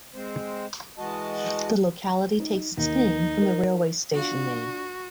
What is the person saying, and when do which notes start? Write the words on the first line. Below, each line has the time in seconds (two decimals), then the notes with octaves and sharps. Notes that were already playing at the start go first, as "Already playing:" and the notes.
The locality takes its name from the railway station name.
0.15 G#3 C4 C5
0.98 E3 G#3 F#4 D#5 A5
2.40 D#4
2.77 D#2 D#4
3.42 A#4
4.14 B3 D4 F4 F#4